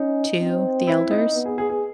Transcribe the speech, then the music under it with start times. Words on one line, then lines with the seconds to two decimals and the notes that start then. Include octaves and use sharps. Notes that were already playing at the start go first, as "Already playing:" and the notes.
to the elders.
Already playing: C#4 D#4
0.40 C4
0.87 E4
1.11 D#4
1.35 B3
1.46 G#4
1.58 G#4
1.70 G#4